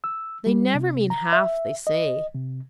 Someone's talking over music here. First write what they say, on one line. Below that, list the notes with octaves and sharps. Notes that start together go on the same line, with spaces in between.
They never mean half they say.
E6
G3
C3
A#5
E5
D#5
C3